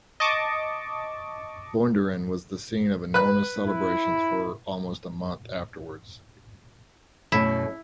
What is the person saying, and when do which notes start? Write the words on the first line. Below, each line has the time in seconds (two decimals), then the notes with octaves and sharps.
Bundoran was the scene of enormous celebrations for almost a month afterwards.
0.20 D#5 A5 C#6 D6
3.14 B4 F#6
3.68 E4
7.32 F#2 B2 A3 E4